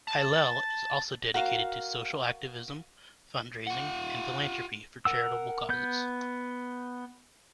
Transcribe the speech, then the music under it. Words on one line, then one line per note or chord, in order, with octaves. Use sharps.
Hillel is also dedicated to social activism, fundraising, and philanthropy for charitable causes.
A5
F#4 A#4 F5
F4 F#5
A#4 F#5 E6
B3 G6